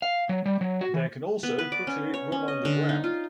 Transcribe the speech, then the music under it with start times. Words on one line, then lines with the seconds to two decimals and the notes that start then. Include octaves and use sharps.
They can also quickly run on the ground.
0.02 F5
0.29 F#3
0.46 G3
0.61 F#3
0.81 F#4
0.94 E3
1.43 B3
1.59 B4
1.72 D5
1.87 C#4
2.14 C#5
2.32 C#4
2.48 D#5
2.65 D3
2.89 D#4
3.04 F4